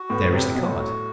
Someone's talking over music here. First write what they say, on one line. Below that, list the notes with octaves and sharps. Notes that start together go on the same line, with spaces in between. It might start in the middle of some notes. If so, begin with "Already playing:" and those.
There is the card.
Already playing: F#4
A2 B3
C3 F#3
C3
B2 F#3
A2
F#4